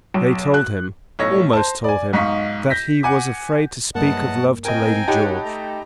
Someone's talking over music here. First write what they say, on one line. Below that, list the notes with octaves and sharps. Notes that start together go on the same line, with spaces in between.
They told him,--almost told him,--that he was afraid to speak of love to Lady George.
B1
F#6
B1 A2 C#5 E6 A#6
C5 A5
D5 G#5
B1 G#2 D#4 F5 C#6 B6
G6 A#6 B6
F#5 G#5 D6
E2 G2 F#3 A#3 D#5 F#5 A5
F3 C4 A#4 D#5 G5 G#5 A#5
D#4 G4 C#5 F#5 A5 B5
A3 A#5